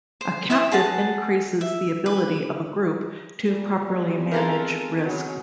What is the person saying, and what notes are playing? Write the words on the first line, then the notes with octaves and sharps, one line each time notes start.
A captive increases the ability of a group to properly manage risk.
C5
E4 E5 C6 D#6
G#4 B4 F#5 A5
E5
B4
A#2 G3
B3 C4 G#5
G#3 D#4 F4 A4 A#4
C#3 F#3